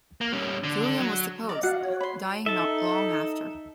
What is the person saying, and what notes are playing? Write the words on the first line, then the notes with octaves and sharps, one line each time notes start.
Julian was deposed, dying not long after.
A#3
G3 C#4
D3
D4 A4
F#3
A#4 D5 D#5
F#4 F5 F#5
C#5
B5 C6
D#4 A4 E5 A5